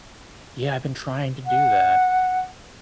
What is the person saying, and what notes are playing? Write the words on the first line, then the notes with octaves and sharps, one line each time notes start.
Yeah, I've been trying to do that.
F#5